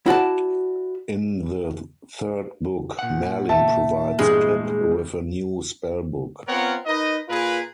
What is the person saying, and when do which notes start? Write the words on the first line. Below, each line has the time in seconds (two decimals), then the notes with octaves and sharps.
In the third book, Merlin provides Pip with a new spell book.
0.06 E4 F#4 D5 A5
2.99 A#2 F#5
3.49 E5 A5
4.19 E2 G2 G3 G#3
6.47 B3 C4 F4 A#4 C#5 F#5
6.86 D#4 A#4 B4 D#5
7.28 A#2 F4 G#4 A#4 B4